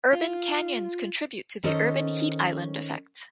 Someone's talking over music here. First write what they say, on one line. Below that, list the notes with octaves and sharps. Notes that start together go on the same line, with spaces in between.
Urban canyons contribute to the urban heat island effect.
F4
D#3 C#4 A4 C5 D#5